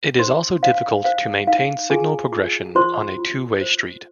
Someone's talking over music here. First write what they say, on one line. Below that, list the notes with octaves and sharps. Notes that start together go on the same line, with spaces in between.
It is also difficult to maintain signal progression on a two-way street.
D#4 C5 C6
C5 F5
C5 F5
D#4 F5
F4 G#4 G#5
F4
F4 C5 C6
F4
C5